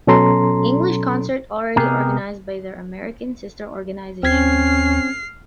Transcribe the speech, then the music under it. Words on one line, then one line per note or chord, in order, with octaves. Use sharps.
English concert already organised by their American sister organisation.
B2 F#3 C#4 A4 A#5 C6
C3 B3 G4 G#4 A#4
D#2 C4 C#4 F6 G#6 C7